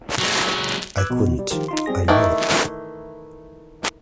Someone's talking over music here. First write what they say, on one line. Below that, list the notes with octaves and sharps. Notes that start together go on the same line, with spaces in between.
I couldn’t, I know.
F#3 G#3
B4 D6 E6 F#6 G#6
A#1 B2
G3
D#3 F3 F4 G4 A#4
D#4 F4 C6
G3 C4 G#4 A#6
D#3 E3 A3